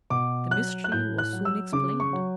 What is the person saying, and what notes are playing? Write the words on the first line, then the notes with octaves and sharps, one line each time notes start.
The mystery was soon explained.
B2 D6
F#3 F#6
F#6
A2 G6
F#6
F#3
E6
C#3 D6
C#6
F#3